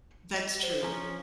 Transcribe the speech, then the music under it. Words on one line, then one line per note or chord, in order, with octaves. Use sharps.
That's true.
D#5
C5
F3 C#4 E4